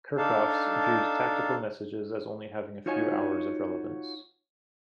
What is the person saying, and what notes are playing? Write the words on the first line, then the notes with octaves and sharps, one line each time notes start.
Kerckhoffs viewed tactical messages as only having a few hours of relevance.
D4 D#4 A4 F5 A5
D#4 F4 F#4 C#5 D#5 G#5